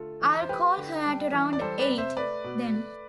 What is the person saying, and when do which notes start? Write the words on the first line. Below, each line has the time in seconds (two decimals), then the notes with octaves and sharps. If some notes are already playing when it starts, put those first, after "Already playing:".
I'll call her at around eight, then.
Already playing: D3 A3 F4 A4
0.22 E3
0.41 C5
0.49 A3 G4 B4
0.77 D3
1.06 G3
1.33 E3
1.53 D5
1.61 G3 A4 C5
1.79 B4 D5
1.88 C3
1.98 C5 E5
2.16 A3 B4 D5
2.44 B2
2.72 A3